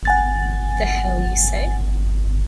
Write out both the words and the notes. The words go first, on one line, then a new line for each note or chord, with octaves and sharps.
The hell you say!
F#5 G#5 A6